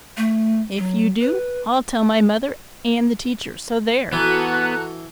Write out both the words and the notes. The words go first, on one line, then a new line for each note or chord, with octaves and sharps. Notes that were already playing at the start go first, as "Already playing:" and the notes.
"If you do, I'll tell my mother and the teacher, so there!"
A3
F#3
B4
E3 B3 F#4 A4 A#5 F#6